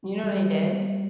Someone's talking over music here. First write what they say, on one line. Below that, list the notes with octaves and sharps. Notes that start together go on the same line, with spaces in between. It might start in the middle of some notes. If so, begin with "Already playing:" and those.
You know what I did?
G3